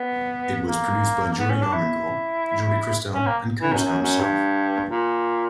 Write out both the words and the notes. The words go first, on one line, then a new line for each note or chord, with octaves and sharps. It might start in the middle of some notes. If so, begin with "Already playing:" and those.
It was produced by Jordi Armengol, Jordi Cristau and Carrasco himself.
Already playing: B3
A#3
B3
C#4
D4
E4
C#4
A#3
E3
F#2
F#2
F#2
G2
A#2